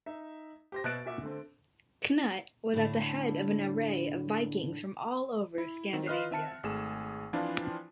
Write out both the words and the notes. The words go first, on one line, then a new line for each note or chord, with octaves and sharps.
Cnut was at the head of an array of Vikings from all over Scandinavia.
D#4 E5
G4 C5 A#6
B2 E5 F#6 A6 D7
A#2 F#4 E5 D6
D3 A3 C4
A2 D3
E4
D#3 C4
F4 B4 D#5 F6 F#6 C7
C4 E5 A5 C#7
G#1 A3 G#4 E7
E3 F3 C4 D4 E4 F4